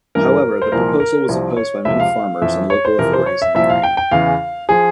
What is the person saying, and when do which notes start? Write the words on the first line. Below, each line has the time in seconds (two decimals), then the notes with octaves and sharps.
However, the proposal was opposed by many farmers and local authorities in the area.
0.15 G2 E3 A#4
0.62 C5
0.72 C2 A#2 F3 A#4
1.00 A#4
1.29 C2 C3 F3
1.57 C#5
1.85 C#2 C3 F3 E5
2.00 F5
2.42 F2 E3 E5
2.70 C#5
2.85 C5
2.99 F2 C3 E3 A#4
3.13 C5
3.26 C#5
3.42 E5
3.55 C2 A#2 F3 E5
3.70 F5
3.83 G5
3.97 G5
4.11 E2 C#3 E3 F5
4.69 F3 G#4